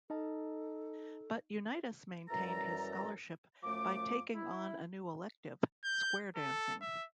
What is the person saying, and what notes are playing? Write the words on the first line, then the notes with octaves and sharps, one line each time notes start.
But Unitas maintained his scholarship by taking on a new elective: square dancing.
D#4 A4 D#5 A5
F#2 E3 G3 A4 A#5
F#2 F3 A3 D6
E4
G6
A4
E5